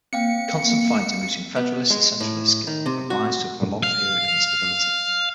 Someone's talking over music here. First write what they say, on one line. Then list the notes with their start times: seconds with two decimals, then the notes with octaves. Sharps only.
Constant fighting between federalists and centralists gave rise to a prolonged period of instability.
0.13 C4 F5 G5 C#7
1.56 B3
1.90 G#3
2.20 A2
2.67 D#3
2.86 C3
3.10 F#4
3.83 F5